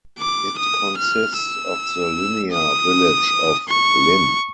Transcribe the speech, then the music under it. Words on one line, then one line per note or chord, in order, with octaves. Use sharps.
It consists of the linear village of Linn.
D6
D#6
F6
E6
D#6
C#6